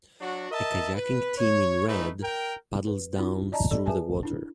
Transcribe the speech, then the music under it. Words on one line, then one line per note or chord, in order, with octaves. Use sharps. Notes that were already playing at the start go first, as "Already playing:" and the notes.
A kayaking team in red paddles down through the water.
F#3 D4 F#4
A#4 D#5 E5 A5
B4
C#5
G#2 A3 D#4 B4
A#4 G5
B4
C#4 D#4 F4 F#4
D5 D#5 A5 A#5
A4 D5 D#5
G#4 B4 E5 G#5 A5
D4 E4